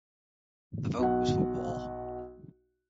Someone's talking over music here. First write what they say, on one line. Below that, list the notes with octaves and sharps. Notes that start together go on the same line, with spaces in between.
The vote was for war.
B1 F#4 F#5